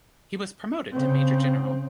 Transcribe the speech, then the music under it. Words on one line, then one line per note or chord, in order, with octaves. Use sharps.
He was promoted to major-general.
C#3 C4